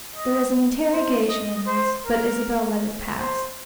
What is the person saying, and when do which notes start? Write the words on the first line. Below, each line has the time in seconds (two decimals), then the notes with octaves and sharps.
There was an interrogation in this; but Isabel let it pass.
0.16 D#5
0.92 C5
1.29 D#5
1.67 C5
2.06 A#4
3.19 C5